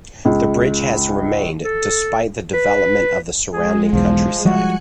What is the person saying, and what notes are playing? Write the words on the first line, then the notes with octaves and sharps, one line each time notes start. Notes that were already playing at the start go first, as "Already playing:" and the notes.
The bridge has remained despite the development of the surrounding countryside.
C#2
A4
B4
G#3 G#4
B1 E2 F3
F3 G3 G#3 F#4 G#5 F#6 C#7